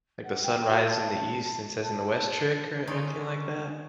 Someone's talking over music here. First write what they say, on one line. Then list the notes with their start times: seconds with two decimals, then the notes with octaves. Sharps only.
like, the sun rises in the east and sets in the west trick or anything like that,
0.24 F#5
0.43 G5
0.68 F#4
0.90 A5
1.83 A5
2.87 D3 C#4 D#4 D5 C6